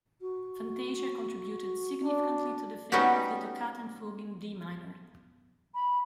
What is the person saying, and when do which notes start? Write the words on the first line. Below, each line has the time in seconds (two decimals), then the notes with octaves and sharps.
"Fantasia" contributed significantly to the fame of the Toccata and Fugue in D minor.
0.21 F#4
2.04 D4
2.92 G3 B3 C#4 D#4 F#4 G4
5.74 B5